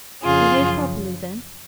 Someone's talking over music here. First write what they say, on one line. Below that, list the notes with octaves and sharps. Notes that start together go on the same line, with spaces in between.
'Behave properly, then.'
F2 C#3 F3 F4 G#4
F#2 C#3 F3